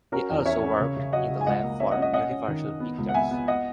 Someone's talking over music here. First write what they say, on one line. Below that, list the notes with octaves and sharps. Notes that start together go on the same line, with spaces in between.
He also worked in the lab for Universal Pictures.
C#4 F#4 A#4
E2
C#4 C#5 E5
C#4
C#3
C#3
F#3 D#5 F#5
C#3
G#5
C#2 D#5 F#5
A#3
C#4 C#5 E5
D#5 F#5
C#4
D#5 F#5
C#4 D#5 F#5
C#4
D#3
D#3
B3
C#2
F#5
B3 E5 G#5
B3
D#5 F#5